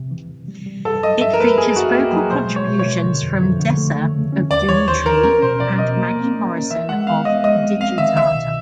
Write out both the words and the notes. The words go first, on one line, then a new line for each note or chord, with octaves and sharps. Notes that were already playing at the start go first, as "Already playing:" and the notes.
It features vocal contributions from Dessa of Doomtree and Maggie Morrison of Digitata.
Already playing: C3
E3
E3
G3
G3
G2 A4
F#3 D#5
G2 E5
A#4
A#3 B4
F#2 G#4
F#2 F#4
A#3 G4
F#3 G#4
B2 C5
G#3
C#5
B2
C#5
B2
D3
F2
F2
D3
A3
A3
C#3
C#4
D#2 D5
E3 C#5
D#2 C5
E3 A#4
C#4 A#4
B2 C5
B2 D5
B2 D#5
A#3
A#3
C#4
C#4
E3 E5
G#3 F#5
B3 F5
B3 D#5
G#3 D#5
C4
C4 F5
D#3 E5
C2 E5
B2